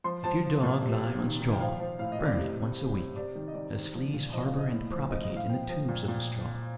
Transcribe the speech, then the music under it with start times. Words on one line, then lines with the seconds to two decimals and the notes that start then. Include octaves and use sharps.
If your dog lie on straw, burn it once a week, as fleas harbour and propagate in the tubes of the straw.
0.04 F3 C6
0.24 F3 A5
0.44 F3
0.63 A#2
0.82 C3
1.02 C3
1.22 D#3
1.41 D#3
1.53 G5
1.60 F3 F5
1.80 F3
1.99 A2 F5
2.12 D#5
2.18 A2
2.25 D5
2.38 C3 D#5
2.58 C3
2.77 C3
2.96 C3
3.16 C3 D5
3.35 D#3
3.48 D#5
3.55 D#3 D5
3.74 D#3
3.93 F3
4.13 A#2
4.33 F3 D#5
4.46 F5
4.52 F3
4.59 D#5
4.71 A2
4.91 F3
5.10 F3 D#5
5.23 D#5
5.30 A2
5.37 F5
5.49 F3 G5
5.69 F3
5.89 A#2
6.08 A#2